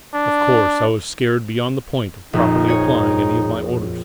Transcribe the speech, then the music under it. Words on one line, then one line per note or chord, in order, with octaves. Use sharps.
Of course, I was scared beyond the point of properly applying any of my orders.
D4
A#1 F2 D#4
G#4 C#5